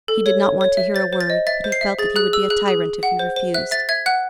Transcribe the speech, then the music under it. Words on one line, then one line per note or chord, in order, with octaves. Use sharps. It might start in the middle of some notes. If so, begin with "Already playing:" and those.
He did not want to hear a word, but he felt that he would be a tyrant if he refused.
A4
C#5
C#5
C#5
E5
C5 A6
C5
A6
D#5
E5 A6
C5
C7
E5
G#4 A6
G#4 F#6
G#4 E6
G#4 F#6
G#4
G#4
F#5
C5
C5
E5 F#6
E5 A6
E5 G#6
F#5 F#6